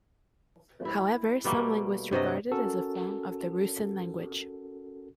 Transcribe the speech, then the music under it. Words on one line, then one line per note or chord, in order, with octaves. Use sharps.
However, some linguists regard it as a form of the Rusyn language.
E4
B2 G3 A3 A#3
G2 C3 F#3 D#5
C#4 F#4 A4 A#4